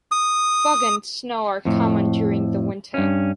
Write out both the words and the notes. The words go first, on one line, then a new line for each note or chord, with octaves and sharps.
Fog and snow are common during the winter.
D#6
F2 A2
G2 C#4